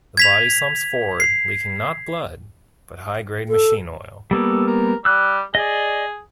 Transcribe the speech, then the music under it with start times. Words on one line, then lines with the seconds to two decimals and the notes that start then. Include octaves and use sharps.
The body slumps forward leaking not blood, but high-grade machine oil.
0.17 G#6 B6 F7
1.20 C7
3.49 A4
4.31 G3 A#3 B3 A4
4.67 A#4
5.05 G3 E6 F#6
5.55 G#4 D5 D#5